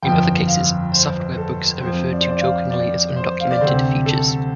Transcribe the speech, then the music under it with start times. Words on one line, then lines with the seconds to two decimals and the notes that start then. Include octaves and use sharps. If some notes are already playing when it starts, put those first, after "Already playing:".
In other cases, software bugs are referred to jokingly as undocumented features.
0.02 G1 F2 F3 G5
0.47 F5
0.92 C5
1.37 A4
1.81 F2 F3 C4 C5
2.12 D5
2.21 C5
2.29 D5
2.41 F5
2.71 D5
3.16 C5
3.40 F5
3.51 D5
3.61 D2 C3 A3 C4 C5
4.06 A4